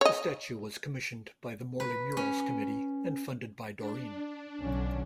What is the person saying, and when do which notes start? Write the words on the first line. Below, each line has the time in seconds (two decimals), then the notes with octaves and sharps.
The statue was commissioned by the Morley Murals Committee and funded by Doreen.
0.01 C#5 D#5
1.80 B4
2.17 C#4
3.78 D4
4.62 B1 D3 C#4